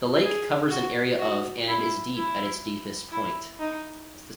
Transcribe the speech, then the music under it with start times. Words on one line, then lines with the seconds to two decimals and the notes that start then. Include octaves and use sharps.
The lake covers an area of and is deep at its deepest point.
0.24 G#4
0.71 F#4
1.19 F#4
1.68 E4
2.16 E4
3.12 E4
3.59 D#4